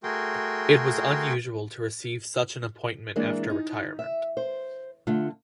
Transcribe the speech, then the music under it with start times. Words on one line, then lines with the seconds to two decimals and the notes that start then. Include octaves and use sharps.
It was unusual to receive such an appointment after retirement.
0.03 A3 F#4 G#4 A#4 G5 C6
3.16 E3 G#3 A#3 D4
3.50 D#4
3.99 E5
4.37 C5
5.07 D3 A3 F4